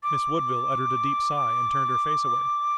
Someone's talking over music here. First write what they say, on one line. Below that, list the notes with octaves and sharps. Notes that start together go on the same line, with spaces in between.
Miss Woodville uttered a deep sigh and turned her face away.
D6